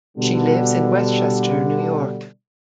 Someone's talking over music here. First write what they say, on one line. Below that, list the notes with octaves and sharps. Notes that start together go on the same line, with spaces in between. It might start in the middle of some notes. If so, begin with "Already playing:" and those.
She lives in Westchester, New York.
B2 D3 G3